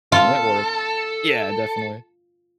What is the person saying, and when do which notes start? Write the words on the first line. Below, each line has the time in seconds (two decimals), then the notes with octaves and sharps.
um, it worked. Yeah, definitely.
0.12 F4 A4